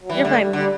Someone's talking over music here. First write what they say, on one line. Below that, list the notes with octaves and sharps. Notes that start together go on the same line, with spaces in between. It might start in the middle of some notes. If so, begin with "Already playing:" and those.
You're fine,
F#3
E3 G3
D3 A3
G3
D3 G3